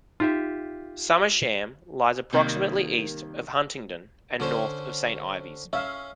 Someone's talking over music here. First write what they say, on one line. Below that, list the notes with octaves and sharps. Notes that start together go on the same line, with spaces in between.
Somersham lies approximately east of Huntingdon and north of Saint Ives.
D#4 F4 G4 E5
C3 D#3 G3 G#3 A#3
D3 C#4 C5
C#4 E5 F5